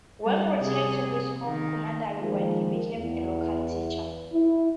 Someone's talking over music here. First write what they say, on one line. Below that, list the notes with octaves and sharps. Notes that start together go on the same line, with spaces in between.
Wang returned to his home commandery where he became a local teacher.
G3
C3 G#4
D#3
D#3 F3 G#3 A#3
E2
E4